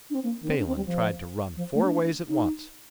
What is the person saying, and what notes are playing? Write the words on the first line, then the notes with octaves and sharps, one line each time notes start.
Phelan tried to run four ways at once.
D4
C4
A#3
D#3
C4
D4
C4
G3
F3
F3
A3
D4
D#4